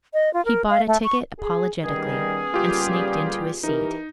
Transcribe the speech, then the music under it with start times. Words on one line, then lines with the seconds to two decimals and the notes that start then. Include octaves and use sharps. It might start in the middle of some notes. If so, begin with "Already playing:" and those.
He bought a ticket apologetically and sneaked in to his seat.
0.14 D#5
0.33 F4
0.45 A#4
0.70 F5
0.87 A3
1.04 C#6
1.38 G#4
1.84 D#3 G3 B3 C#4 G#4
2.54 A#2 C#3 G3 F4 G4
3.64 E3 D#4 G4 A#4